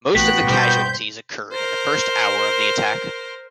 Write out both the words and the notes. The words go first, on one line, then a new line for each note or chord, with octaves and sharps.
Most of the casualties occurred in the first hour of the attack.
A1 B3 F#4 G5 F#6 B6
B2 G3 C5 G6
A#4 C5